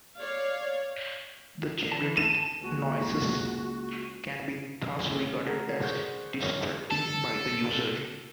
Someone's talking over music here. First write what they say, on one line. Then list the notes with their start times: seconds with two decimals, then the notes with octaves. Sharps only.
The generated noises can be thus regarded as distracting by the user.
0.17 C#5 D5 F5
1.92 E3 A5
2.17 D#7 E7
2.30 A5
2.62 C#2 A#3 F#4
5.08 D#1 A3 C#5
5.43 A3 F#4 A4 A#4
5.80 G#4 C5 D5 F#5 C#6 G6
6.42 F#2 D3 C#5 F6
6.90 A4